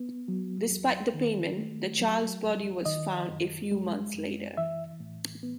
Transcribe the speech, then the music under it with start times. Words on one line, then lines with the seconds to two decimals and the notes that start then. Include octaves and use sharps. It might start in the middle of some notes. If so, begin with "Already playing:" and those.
Despite the payment, the child's body was found a few months later.
Already playing: B3
0.28 F#3
0.70 E2
1.14 D#3
1.57 A3
2.00 F#3
2.43 D#2
2.85 D#3 D#5
3.29 F#2
3.71 G#3
4.15 F#2
4.57 E3 E5
5.00 A2
5.43 B3